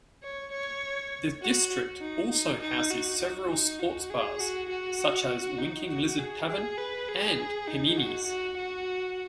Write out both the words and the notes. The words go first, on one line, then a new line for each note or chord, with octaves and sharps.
The district also houses several sports bars such as Winking Lizard Tavern and Panini's.
C#5
C#5
F#4
D#4
D#4
D#4
F#4
F#4
D#4
F#4
G#4
F#4
F#4
D#4
F#4
G#4
G#4
B4
G#4
D#4
F#4
F#4
F#4